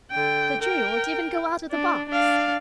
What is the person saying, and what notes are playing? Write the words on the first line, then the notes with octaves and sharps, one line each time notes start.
"The jury won't even go out of the box."
D3 G5
A#4 G5
D4
D4 F5